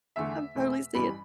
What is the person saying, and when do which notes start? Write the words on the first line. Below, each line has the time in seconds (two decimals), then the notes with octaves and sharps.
I'm totally seeing it.
0.16 E2 D3 A3 E5
0.56 E2 B2 A3
0.95 A1 G2 E3 G3 B5